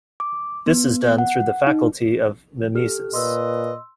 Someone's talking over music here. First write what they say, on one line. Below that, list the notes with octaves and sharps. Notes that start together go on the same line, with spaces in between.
This is done through the faculty of mimesis.
D6
B3
F#5
D#4
G4 A4 F6
A#2 B4 D#5 C6 E6